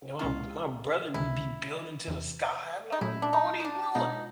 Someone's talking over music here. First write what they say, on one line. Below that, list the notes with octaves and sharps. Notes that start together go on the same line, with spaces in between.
You know, m my brother would be building in to the sky. I'd be like, "Bro, what are you doing?"
C#2 B2 G#3 C#4 E4 F4
C#2 C3 D#3 G#3 E4
E2 C3 E3
D#4
A#2 F#3 A3 C#4 E4
D4
D#4
D#4
D4
B2 G#3 B3 D4 D#4 F4